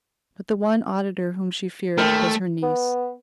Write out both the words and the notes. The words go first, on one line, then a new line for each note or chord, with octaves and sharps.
But the one auditor whom she feared was her niece.
G#1 D#2 A3 A#4
B3